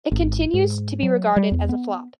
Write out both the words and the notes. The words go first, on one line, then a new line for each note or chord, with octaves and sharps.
It continues to be regarded as a flop.
G#1
G#2
F#3
G3
E2
B3